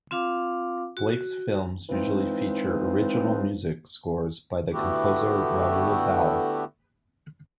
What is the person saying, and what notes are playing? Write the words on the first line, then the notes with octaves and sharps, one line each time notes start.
Blake's films usually feature original music scores by the composer Raoul Valve.
C4 F4 F5 D6
F#4
E3 F3 G#3 C4 D#4
D3 A3 B3 E4 F#4 G4